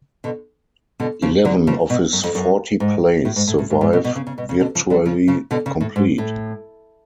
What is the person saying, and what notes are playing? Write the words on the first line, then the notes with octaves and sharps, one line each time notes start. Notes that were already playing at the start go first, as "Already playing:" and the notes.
Eleven of his forty plays survive virtually complete.
B2 D3
B2 D3
C#3 F3
D3 F#3
C#3 F3
B2
F#2
F2
F#2
G#2
A2
G#2
A2
A2
G#2
G#2
B2
B2
C#3
C#3
B2
C#3
B2 D3
C#3 F3
D3 F#3
C#3 F3
C#3 F3
B2 D3
C#3
A2
G#2
A2